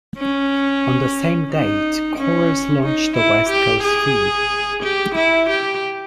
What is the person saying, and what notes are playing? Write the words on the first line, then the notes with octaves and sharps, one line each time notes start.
On the same date, Corus launched the west coast feed.
C#4
D#4
C#4
D#4
E4
G4
G#4
G4
E4
G4